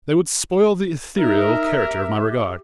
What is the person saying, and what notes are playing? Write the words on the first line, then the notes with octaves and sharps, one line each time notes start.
They would spoil the ethereal character of my regard.
D#4 A#4 E5
G4